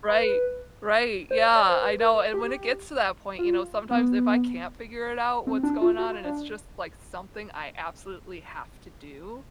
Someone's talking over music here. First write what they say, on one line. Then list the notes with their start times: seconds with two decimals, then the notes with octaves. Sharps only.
Right, right, yeah, I know, and when it gets to that point, you know, sometimes if I can't figure it out what's going on, and it's, just like, something I absolutely have to do,
0.08 B4
1.31 C5
1.44 C#5
1.55 D5
1.69 C5
1.82 B4
2.00 A#4
2.34 G4
3.39 F4
3.91 B3
5.47 C4
5.63 D4
5.81 F4
5.99 F#4
6.12 F4
6.24 D4